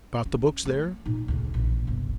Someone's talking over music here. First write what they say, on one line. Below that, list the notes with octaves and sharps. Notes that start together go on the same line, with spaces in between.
Got the books there?'
C#4
F3 A3
A#2 D#4
D2 C#3
A#1 E3
G1 C2